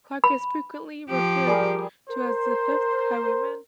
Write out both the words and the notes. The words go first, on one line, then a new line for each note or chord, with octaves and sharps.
Clark is frequently referred to as The Fifth Highwayman.
B5
F3 G4
G3 G#4 A#4
A#4 C5